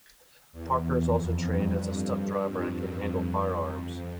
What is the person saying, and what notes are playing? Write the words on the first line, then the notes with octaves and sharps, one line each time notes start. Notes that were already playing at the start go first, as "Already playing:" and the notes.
Parker is also trained as a stunt driver and can handle firearms.
E2
F2
G2
F2
F2